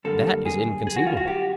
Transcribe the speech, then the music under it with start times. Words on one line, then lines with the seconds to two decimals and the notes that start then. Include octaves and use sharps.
That is inconceivable.
0.04 F#2 D3 G3 A#3 A4
0.45 G#4
0.87 G#4
0.96 F#4
1.07 F4
1.17 F#4
1.28 G4